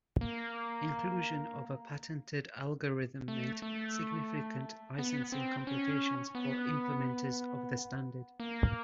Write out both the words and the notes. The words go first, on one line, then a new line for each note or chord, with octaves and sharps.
Inclusion of a patented algorithm meant significant licensing complications for implementors of the standard.
A#3
A3
A3
B3
C4
C#4
B3
A#3